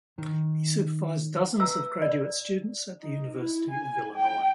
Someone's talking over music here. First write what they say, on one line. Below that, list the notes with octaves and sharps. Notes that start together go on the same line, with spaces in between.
He supervised dozens of graduate students at the University of Illinois.
D#3
B4 E5 A#5 E6
D5
D#4
E4
G#5
G5